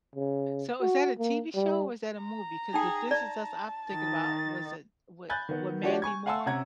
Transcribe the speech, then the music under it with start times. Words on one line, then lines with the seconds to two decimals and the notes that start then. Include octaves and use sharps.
So, is that a TV show or is that a movie? 'Cause the "This Is Us" I'm thinking about was a wa wa Mandy Moore
0.16 C#3
0.80 F#4
1.19 A#3
1.55 G3
2.23 A#5
2.74 D#4 G#4 G5
3.11 D5 A5
3.90 D#3 A6
5.29 G#5 B5 F#6 G6 A6
5.49 D#3 B3
5.83 F3 D4 F#4 G4 C#5 D5
6.02 G#5 C#6 G#6
6.26 F5 F#5 G#5 A5 C6 E6
6.46 C3 C#4 F#5 A#5 G#6